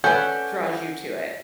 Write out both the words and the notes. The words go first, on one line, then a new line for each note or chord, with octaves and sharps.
draws you to it?
C#4 A4 B4 D5 F#5 G6